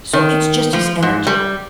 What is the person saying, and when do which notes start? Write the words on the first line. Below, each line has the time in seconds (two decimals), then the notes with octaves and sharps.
So it's just his energy?
0.13 D#3
0.73 F3
1.02 G#2
1.27 G3